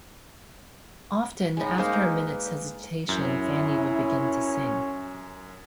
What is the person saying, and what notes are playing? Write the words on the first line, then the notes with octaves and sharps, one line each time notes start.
Often, after a minute’s hesitation, Fanny would begin to sing.
A2 G#3 D#4
G#3 A#3 D#4 C5
B4
F#2 C#4 E4 G6